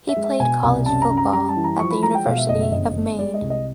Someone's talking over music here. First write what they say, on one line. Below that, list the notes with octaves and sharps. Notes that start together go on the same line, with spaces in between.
He played college football at the University of Maine.
E5
G#3
E5
B2 G#5
C2
F#2 A5
A#5
F#2
A#5
G3 A#5
A5
E3
A#5
F3 C#6
B5
G#3 A#5
G5
B2 F5
E5
F#1 D#5
E5
G1 D#5
G1
G#3 D5
D#5
C2
D#5